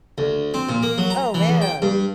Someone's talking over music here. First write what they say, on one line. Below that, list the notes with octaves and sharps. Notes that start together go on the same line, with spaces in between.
Oh, man.
D2
C4
A#2
A#3
F#3
A#5
E3
E2
G5
G2